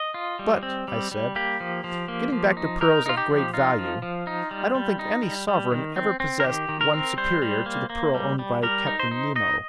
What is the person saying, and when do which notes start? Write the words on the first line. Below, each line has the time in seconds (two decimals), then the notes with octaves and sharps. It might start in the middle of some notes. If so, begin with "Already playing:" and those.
"But," I said, "getting back to pearls of great value, I don't think any sovereign ever possessed one superior to the pearl owned by Captain Nemo."
Already playing: D#5
0.14 F4
0.39 G3
0.63 C4
0.88 G3
1.12 G3
1.36 A#3 G4
1.60 F3
1.84 F3
2.08 A#3
2.32 F3
2.57 D#4
2.81 D#4 A#4
3.06 D#4 F4
3.17 G4
3.30 F3
3.54 D#4 F4
3.79 F3
4.02 F3
4.27 D#4
4.51 G3
4.75 G3
4.99 D#4
5.23 G3
5.48 G3
5.72 D#3
5.96 C4
6.20 C4
6.40 A#4
6.44 D#3 G4
6.69 D#3
6.81 A#4
6.93 C4
7.17 G3 C5
7.42 G3
7.66 A#3
7.90 A#3
8.15 G3
8.39 G3
8.63 G3 A#4
8.87 D#4
8.99 C5
9.11 D#4
9.36 D#4 D#5